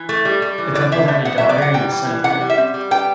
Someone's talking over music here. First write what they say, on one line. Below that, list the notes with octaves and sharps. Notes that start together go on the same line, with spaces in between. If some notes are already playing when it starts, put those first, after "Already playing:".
The couple had a daughter and a son together.
Already playing: E3
A3
G3
G3
E3
F#3 D5
C3 E5
A3 E5
B2 F#5
E5
F#3
D5
F#3 F#5
G3 G5
E3
E3
C3 F#5
G3
E5
C4
G3
B3 G5